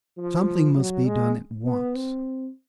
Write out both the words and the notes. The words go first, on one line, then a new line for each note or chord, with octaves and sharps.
Something must be done at once.
F3
F#3
G#3
B3
C4